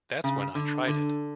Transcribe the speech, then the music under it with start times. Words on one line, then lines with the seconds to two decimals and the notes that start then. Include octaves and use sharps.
That's when I tried it.
0.24 C#3
0.55 D3
0.87 D3